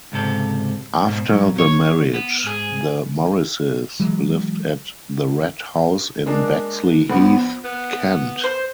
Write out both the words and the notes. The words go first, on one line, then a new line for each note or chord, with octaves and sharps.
After the marriage, the Morrises lived at the Red House in Bexleyheath, Kent.
C#2 G#2 C3 A4
G#2 B2
A#2 F#3
C#5
B3
G#2 G#4
E3 F#3 G#3
G#3 A#3 D4
A#1 B3 F#5
B3
C5